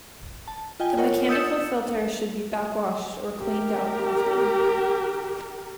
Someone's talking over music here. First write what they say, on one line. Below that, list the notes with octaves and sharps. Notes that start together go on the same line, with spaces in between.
The mechanical filter should be backwashed or cleaned out often.
A5
F4 D#5 G5 G#5
F4 A#4 C#5 D#5 F#5
D#6 E6 G6 A6 C#7 E7
G4 A#4